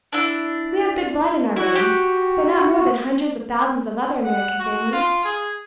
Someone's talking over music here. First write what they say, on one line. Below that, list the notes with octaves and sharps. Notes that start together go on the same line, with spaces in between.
We have good blood in our veins, but not more than hundreds of thousands of other American families.
D4 E4
E4 F#4
G4
F#5
F#4
F4
G#4